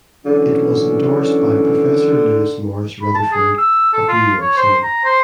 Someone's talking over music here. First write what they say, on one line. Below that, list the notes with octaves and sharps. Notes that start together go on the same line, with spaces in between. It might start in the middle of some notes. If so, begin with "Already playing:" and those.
It was endorsed by professor Lewis Morris Rutherfurd of New York City.
D3 E3 F#3 C#4
B5
A5
G#4
E6
A4
F4
C#5
C5
A#5
C5